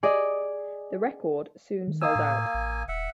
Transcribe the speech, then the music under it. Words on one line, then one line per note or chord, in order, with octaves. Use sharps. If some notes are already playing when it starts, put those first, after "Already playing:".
The record soon sold out.
G#4 D5 D#5
D#3
A#3 F5 G#5 D#6 E6
A2
A1
D#1 E5 F#5